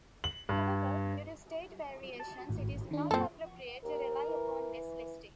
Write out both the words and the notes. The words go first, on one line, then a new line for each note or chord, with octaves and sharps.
However, due to state variations it is not appropriate to rely upon this listing.
F#7
G2
A5
G#1 A2
D#3 D4
F#2 A#2 C4 A4
D#2 A#4
E3